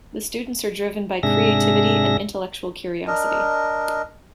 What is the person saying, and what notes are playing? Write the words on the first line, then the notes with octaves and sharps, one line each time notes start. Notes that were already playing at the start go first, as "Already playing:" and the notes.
The students are driven by creativity and intellectual curiosity.
G#2 C3 D4 G#4 E5 A#6
D4 A#4 D#5